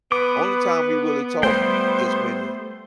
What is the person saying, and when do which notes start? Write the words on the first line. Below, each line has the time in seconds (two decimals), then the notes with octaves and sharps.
only time we really talk is when
0.12 B3 B4 D6
1.43 G3 A3 C5 G5